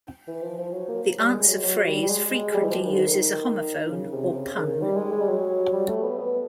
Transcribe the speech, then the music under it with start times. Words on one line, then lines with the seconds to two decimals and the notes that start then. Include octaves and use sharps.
The answer phrase frequently uses a homophone or pun.
0.27 E3
0.42 F3
0.58 F3
0.73 F#3
0.88 A#3
1.18 G3
1.33 G#3
1.48 F#3
1.63 F#3
1.86 G3
2.03 G3
2.09 G#3
2.54 G3
2.63 E3
2.70 F3
2.85 D#3
2.92 D3
3.00 D#3
3.91 C#3
4.14 C3
4.36 C#3
4.59 D#3
4.82 G3
4.96 G#3
5.12 G#3
5.21 G3
5.28 F#3
5.73 G3
5.88 A3
6.03 B3
6.18 B3